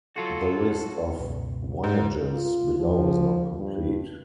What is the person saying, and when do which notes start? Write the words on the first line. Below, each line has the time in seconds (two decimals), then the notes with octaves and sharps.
The list of voyages below is not complete.
0.16 F#3 F4 F#4 A4
1.19 C#2 F#2 B2
1.84 G#2 G6
2.33 F4
2.79 F3
3.57 G2